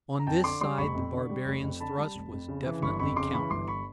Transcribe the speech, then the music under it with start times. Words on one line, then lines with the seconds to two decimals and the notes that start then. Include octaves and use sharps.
On this side the barbarians' thrust was definitely countered.
0.19 A#5
0.27 F2 G5 A5
0.44 D3 C6 D6
0.61 G3 C6 D6
0.78 F1 B5 C#6
0.95 F2
1.12 D3
1.29 G3
1.46 F1
1.63 F2
1.80 D3 A5 B5
1.98 G3
2.15 F1
2.31 F2
2.48 C#3
2.66 E3
2.82 G1 B5 C#6
2.99 F2 B5 C#6
3.16 C#3 C6 D6
3.33 E3 B5 C#6
3.50 G1 C6 D6
3.68 B5 C#6